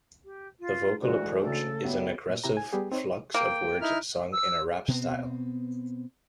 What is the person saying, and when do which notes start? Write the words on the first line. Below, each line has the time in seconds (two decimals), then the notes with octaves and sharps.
The vocal approach is an aggressive flux of words sung in a rap style.
0.24 G4
0.59 F4
1.01 D2 E3 G#3 F#4
1.41 C#3 A3 A4
1.83 A2 F#3 G3 B3
2.30 A#2
2.44 C3 E4 G4 A#5
2.57 G#5
2.73 G3 B3 G4 G#4
2.92 C4 D#4 C5 C#5
3.34 A#3 G5
3.81 D#4 E4 F6
4.32 E6
4.88 B2 B3 C4